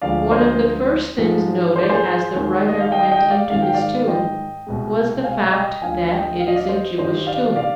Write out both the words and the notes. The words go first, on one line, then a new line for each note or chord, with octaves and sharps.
One of the first things noted as the writer went into this tomb was the fact that it is a Jewish tomb.
D2 D3 F3 G#3 D5 F5
C5 D#5
G#2 F3 G#3
C5
D5
G#4 C5
D#2 D#3 G#3
D#5
F5
D#5 G5
D#5 G5
D5 F5
G#2 D#3 G#3 F5
G5
D5 F5
D#5 G5
C2 B2 G#3
F5 G#5
F5
D#5 G5
D2 D3 F3 F5 G#5
D#5 G5
F5
D#5
D5 F5
C5 D#5
G2 D#3 G3 C5 D#5
D5 F5
D5 F5